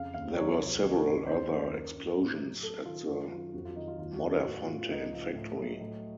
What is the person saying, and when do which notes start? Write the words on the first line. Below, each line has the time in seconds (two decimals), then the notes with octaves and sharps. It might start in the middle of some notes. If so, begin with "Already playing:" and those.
There were several other explosions at the Modderfontein factory.
Already playing: F2 C#3 F5
0.14 D#2 F5
0.36 F#3 C#5
0.60 C2
0.81 D#3
1.04 F#2
1.27 D#2 C5
1.49 D#2 A#4
1.73 F#2 A#4
1.95 F#2
2.18 A2
2.41 F#3
2.63 F#3 A4
2.86 D#3 F4
3.08 F#2 F4
3.32 F#3 F4
3.54 F2 F#4
3.65 F4
3.76 D#3 D#4
3.88 F4
3.99 D#2 F4
4.14 F#4
4.22 F#3
4.29 A4
4.44 A2 F#4
4.66 A2 F4
4.81 F4
4.89 C#2 D#4
5.13 F3
5.35 A2
5.57 F#3
5.80 A2